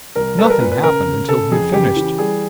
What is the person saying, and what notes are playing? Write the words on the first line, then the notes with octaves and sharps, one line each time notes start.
Nothing happened until he had finished.
C2 A#4
G3 A4
B4
A#4
A#2 B4
B4
C#3 A#4
C#3
C#3 A4
F2 G#4
C#3 G4
E3
G3 G#4